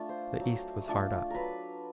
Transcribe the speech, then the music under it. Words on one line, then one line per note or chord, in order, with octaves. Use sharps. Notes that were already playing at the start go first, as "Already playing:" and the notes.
The East was hard up.
Already playing: A3 D4 F4
C5
F#3
A3 D4 F4
F#3 A#4 B4